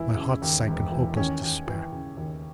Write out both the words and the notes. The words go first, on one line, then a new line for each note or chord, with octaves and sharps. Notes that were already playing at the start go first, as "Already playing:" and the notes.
My heart sank in hopeless despair.
Already playing: E1 E3 E4
C#3
D#2
E1
E3
D#2 C#4
D#2
E3
C#3
D#2